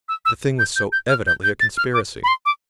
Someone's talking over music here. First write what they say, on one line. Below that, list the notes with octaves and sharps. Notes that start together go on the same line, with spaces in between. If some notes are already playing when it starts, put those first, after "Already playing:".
The thing was so evidently a conspiracy.
E6
E6
G6
G6
G6
F6
G6
G6
A6
F6
D6
B5
C6
D6